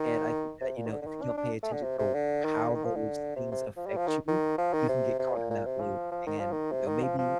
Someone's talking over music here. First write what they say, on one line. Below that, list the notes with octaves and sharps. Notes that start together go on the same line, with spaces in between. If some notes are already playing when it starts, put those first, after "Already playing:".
and I think that, you know, if you don't pay attention to w how those things affect you, you can get caught in that loop, and, you know, maybe
Already playing: D#3
C3
A#2
D#3
D3
D3
D#3
D4
D4
A3
D3
C3
C3
D3
D#3
D3
D#3
F3
D3
C3
C3
F3
G3
F3
D#3
D#3
F3
D#3
C3
C3
A#2
A#2
C3
F3
F3
D#3
F3
D#3
C3
D#3
F3
F3